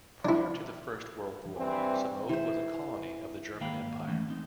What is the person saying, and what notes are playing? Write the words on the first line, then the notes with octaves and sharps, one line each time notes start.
Prior to the First World War, Samoa was a colony of the German Empire.
D4 E4
G2 E3 C4
E3 C5
G#2 D#3 A#3 F5 G5 B5
E3 A3 C#4
C4 D#4